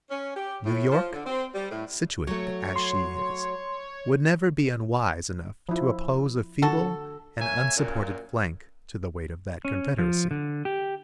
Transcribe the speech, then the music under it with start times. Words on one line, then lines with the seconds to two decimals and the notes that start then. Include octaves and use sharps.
New York, situated as she is, would never be unwise enough to oppose a feeble and unsupported flank to the weight of that confederacy.
0.10 C#4
0.37 G4
0.65 A2
0.92 F3
1.13 D3
1.26 C4
1.55 G3
1.71 A2
2.27 F#3 A3 C#5
2.76 C6
5.69 F3 E4
6.62 D3 F#4 A4
7.39 A#3 C#5 E5 G#5
7.76 F#2 A#2
9.65 C#4
9.98 F3
10.31 D3
10.65 G4